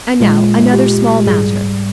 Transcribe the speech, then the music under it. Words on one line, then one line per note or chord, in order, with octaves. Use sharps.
And now, another small matter.
A#2 G#3 F4
G4
G#2 G3 G#4